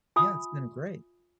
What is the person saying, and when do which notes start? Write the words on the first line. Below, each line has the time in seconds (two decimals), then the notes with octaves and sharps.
Yeah. It's been great.
0.16 F4 E5 G#5 B5 D#6